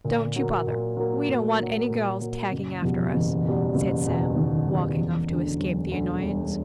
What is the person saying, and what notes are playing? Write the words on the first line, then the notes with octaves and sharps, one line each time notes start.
"Don't you bother; we don't want any girls tagging after us," said Sam, walking off to escape the annoyance.
A#2 D3
F#3 A#3
A#2
F#3 A#3
A#2
F#3 A#3
A#2
F#3 A#3
F#1
E2 B2 F3 G3
F#1 E3
E2 B2 G3
F#1
E2 B2 G3
F#1 D#3
E2 B2 G3
E1 E3
D2 D3
E1 F#3
D2 D3
E1 G3